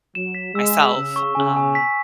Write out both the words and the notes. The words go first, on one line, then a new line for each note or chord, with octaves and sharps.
myself, um,
F#3 E7
B6
G#3 E6
E6
C#3 E6
C#6
C#3 G#5
G#5
B6